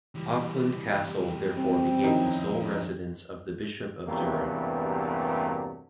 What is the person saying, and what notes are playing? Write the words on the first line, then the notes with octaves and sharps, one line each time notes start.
Auckland Castle therefore became the sole residence of the Bishop of Durham.
E3 G3
C4
F2 D#3 C#4 D#4 E4
E2 G2 C3 F#3 A3 A#3